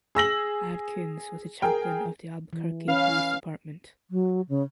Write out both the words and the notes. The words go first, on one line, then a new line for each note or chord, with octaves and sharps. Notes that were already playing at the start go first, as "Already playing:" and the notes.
Adkins was the chaplain of the Albuquerque Police Department.
G#4 E6 A#6 F#7
G#4 A#4 G5
E3
C#4 B4 F5
F#3
C#3